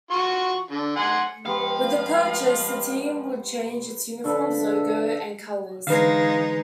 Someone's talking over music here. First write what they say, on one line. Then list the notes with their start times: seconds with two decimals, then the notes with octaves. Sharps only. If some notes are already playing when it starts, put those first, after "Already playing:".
With the purchase the team would change its uniforms, logo, and colors.
0.11 F4 F#4 C#6
0.71 D3
0.96 F#5 G#5 C6
1.45 C#2 F3 B3 G4 C5 F5
4.24 D3 F3 A4 B4
5.87 D3 E3 G#3 D#4 B4 F5